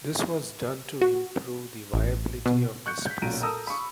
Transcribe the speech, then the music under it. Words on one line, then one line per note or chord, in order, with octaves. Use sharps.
This was done to improve the viability of the species.
F#4
A1
B2
C#6 F#6 G6 C#7
G6 B6
B1 A#2 C#4 A#5 D7 D#7
A4 A#4 A5 A#5 D#6 E6
B5 C#6